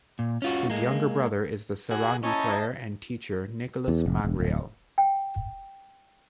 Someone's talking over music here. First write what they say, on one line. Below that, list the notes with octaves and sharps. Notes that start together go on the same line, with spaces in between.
His younger brother is the sarangi player and teacher Nicolas Magriel.
A#2
C#4 F4 F#4
G#3 A#3
F#4 G#4
C#4 D#4 E4 D#5 G#5 A5
E2
F1
E1
D1
G5